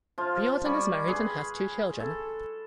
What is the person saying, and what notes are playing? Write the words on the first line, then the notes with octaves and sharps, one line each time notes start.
Riordan is married and has two children.
F3 F4
G3 G#5 B5 C#6
G#4 B4
A4